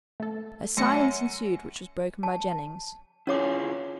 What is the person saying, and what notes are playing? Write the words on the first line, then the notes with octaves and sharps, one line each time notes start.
A silence ensued which was broken by Jennings.
A3 A4
F#2 A3 A#6 C#7
A5
C#4 E4 F4 G#4 C#5 D6